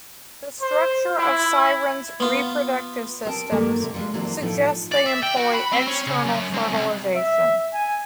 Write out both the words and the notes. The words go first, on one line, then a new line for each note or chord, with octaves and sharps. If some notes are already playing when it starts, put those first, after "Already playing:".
The structure of sirens' reproductive systems suggests they employ external fertilization.
C5
E4
B3 F4
C4 A#4 A5
G2 D#3 F#3 A3 A#3 A#4
F#2 C3 E5
F3 G3 G#3
E3 F#3 A#3 C4 D4
A2 F3 B3 D#4
D5
E5
G5
F#4
B5
C4
C#4
C#3
F#2
G#2
C2
E5
G#5